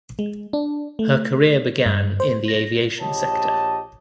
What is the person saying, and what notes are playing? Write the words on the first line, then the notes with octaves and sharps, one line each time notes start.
Her career began in the aviation sector.
G#3
D4
A3
G2
C5
A#6
A#1 G4 C#5 D#5 A5